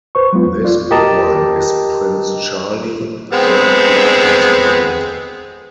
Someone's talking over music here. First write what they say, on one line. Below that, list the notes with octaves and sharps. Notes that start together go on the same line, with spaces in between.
This big one is Prince Charlie, Aunt Clara's boy.
B4 C5 C#6
F#3 G#3 B3 F4
E2
F4 D5
G4 A#4 D#5 A5 A#5
G#3 B3 C4